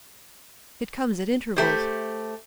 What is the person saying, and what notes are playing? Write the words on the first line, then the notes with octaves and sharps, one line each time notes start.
It comes at intervals.
A3 G4 C5